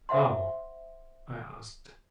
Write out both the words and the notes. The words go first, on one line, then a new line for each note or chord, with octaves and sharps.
"How?" I asked.
C5 E5 F#5 C6